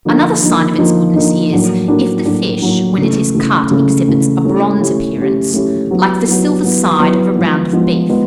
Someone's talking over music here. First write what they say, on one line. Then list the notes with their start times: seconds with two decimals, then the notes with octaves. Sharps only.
Another sign of its goodness is, if the fish, when it is cut, exhibits a bronze appearance, like the silver side of a round of beef.
0.05 D3 F3 A#3 D#4
0.42 D3 F3 A#3 D#4
0.78 D3 F3 A#3 D#4
1.15 D3 F3 A#3 D#4
1.51 A2 F#3 A#3 D4
1.88 A2 F#3 A#3 D4
2.25 A2 F#3 A#3 D4
2.61 A2 F#3 A#3 D4
2.98 C#3 E3 A3
3.35 C#3 E3 A3
3.71 C#3 E3 A3
4.08 C#3 E3 A3
4.44 A3 C#4 E4 G4
4.80 A3 C#4 E4 G4
5.18 A3 C#4 E4 G4
5.53 A3 C#4 E4 G4
5.91 F#3 B3 E4
6.27 F#3 B3 E4
6.64 F#3 B3 E4
7.00 F#3 B3 E4
7.36 F3 G#3 B3
7.73 F3 G#3 B3
8.09 F3 G#3 B3